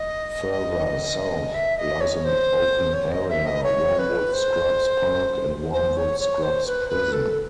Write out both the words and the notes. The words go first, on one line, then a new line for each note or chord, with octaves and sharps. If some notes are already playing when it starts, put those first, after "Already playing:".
Further south lies an open area, Wormwood Scrubs Park, and Wormwood Scrubs prison.
Already playing: D#5
E5
D#5
C#5
C5
C#5
D#5
E5
D#5
C#5
B4
C5
C5
C#5
C#5
C5
B4
B4
A4